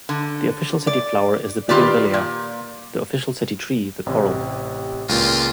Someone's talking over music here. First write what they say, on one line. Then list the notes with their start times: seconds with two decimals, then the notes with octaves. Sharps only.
The official city flower is the Bougainvillea, the official city tree the Coral.
0.09 D3
0.87 D5
1.69 D#3 G3 F4 G4 B4 D5
2.14 A#2
4.06 A1 C3
5.09 C#2 A#2 F4